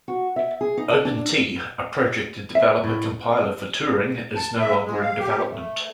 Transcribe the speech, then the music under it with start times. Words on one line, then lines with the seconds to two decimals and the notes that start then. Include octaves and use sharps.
OpenT, a project to develop a compiler for Turing, is no longer in development.
0.08 F#4
0.36 E5
0.61 G#4
0.77 D#4
0.91 A5
1.05 D4
2.55 E5
2.84 A2
4.36 A5
4.60 E5
4.84 G#3
5.02 F5
5.18 G4
5.50 A3